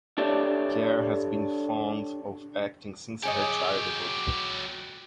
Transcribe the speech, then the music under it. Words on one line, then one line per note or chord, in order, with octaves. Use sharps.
Khare has been fond of acting since her childhood.
D4 G4 A4 C#5 D5 E5
F#3 G4 G#4 C#5 D#5